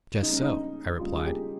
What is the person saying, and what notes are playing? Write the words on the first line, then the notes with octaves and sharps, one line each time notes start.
"Just so," I replied.
C#3 G3 D#4
C#4
D#4
C#3 G3 F4
G#4
G4